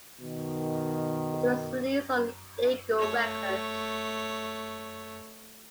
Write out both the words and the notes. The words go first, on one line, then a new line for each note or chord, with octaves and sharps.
It was released on Eagle Records.
B2 D#3
A3 C#5